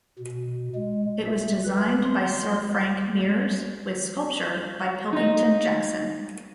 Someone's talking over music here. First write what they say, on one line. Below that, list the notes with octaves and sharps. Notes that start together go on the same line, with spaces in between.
It was designed by Sir Frank Mears with sculpture by Pilkington Jackson.
B2
G#3
E5
B4
C6
D#4 D#5